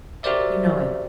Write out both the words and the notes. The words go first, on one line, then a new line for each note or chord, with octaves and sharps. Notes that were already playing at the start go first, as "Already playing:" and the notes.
You know it.
F#4 G4 A#4 C5 D5 E5